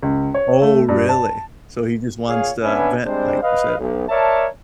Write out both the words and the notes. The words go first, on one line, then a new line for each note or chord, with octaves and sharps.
Oh, really? So he just wants to vent, like you said?
C#2
C#5
A3
G2
A5
A#2 G#4 C#5 F5
B3 C#4 D4 B4 E5 G#5
G3 G#3 C4 D4 C5
B4 D#5 F5
B1
A#4 C#5 D5 E5 A5